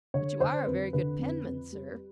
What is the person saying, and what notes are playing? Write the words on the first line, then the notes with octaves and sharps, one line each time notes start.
'But you are a very good penman, sir.
D3 C#5
D3 C5
F2 B4
D3 B4
F2
F2
G3